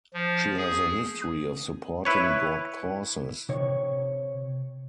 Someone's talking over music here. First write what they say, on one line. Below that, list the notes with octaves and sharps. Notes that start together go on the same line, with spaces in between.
She has a history of supporting good causes.
F3
G#4
E4 B4 C#5
C3 C#5